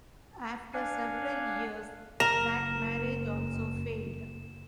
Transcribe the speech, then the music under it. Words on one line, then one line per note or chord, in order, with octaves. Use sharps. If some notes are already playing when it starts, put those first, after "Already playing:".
After several years that marriage also failed.
D4 F5 F#5 G#5
F#1 F#2 A#4 A#5 E7